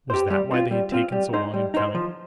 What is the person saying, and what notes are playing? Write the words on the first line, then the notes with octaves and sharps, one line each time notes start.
Was that why they had taken so long in coming?
G4 C5
G3
C4 F4
G3
C4 F4
G3
D#4 C5
G3
D#4 C5
F3